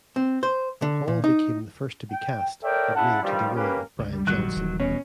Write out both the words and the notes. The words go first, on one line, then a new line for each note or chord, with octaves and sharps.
Hall became the first to be cast, agreeing to the role of Brian Johnson.
C4
C5
D3
A#2
D#4
G5
A4 A#4 C#5 D5 E5 G5
C#3 E4 F#5 A5
G2 D#3 F3 G3
C#3 A#3 C#4 G4 B4
C#2 D3
G3
A#1 F#2 D#3 F#3 F#6
D#1 E3 G3
B2 C#4